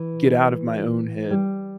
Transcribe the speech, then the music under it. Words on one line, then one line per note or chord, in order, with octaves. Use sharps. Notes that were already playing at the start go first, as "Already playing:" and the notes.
get out of my own head,
Already playing: E3
G3